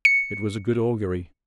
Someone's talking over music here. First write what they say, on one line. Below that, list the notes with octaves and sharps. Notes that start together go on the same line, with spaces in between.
It was a good augury.
C#7